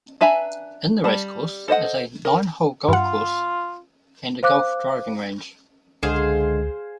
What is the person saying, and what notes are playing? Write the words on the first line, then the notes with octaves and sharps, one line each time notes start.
In the racecourse is a nine-hole golf course and a golf driving range.
D4 B4 E5 G#5 A#5
G3 A5
A4 C5 D#5 F#5
A#4
G2 F4 F#5
C5 F5 D6 F#6
C#2 D3 G#3 G#4 C5 F5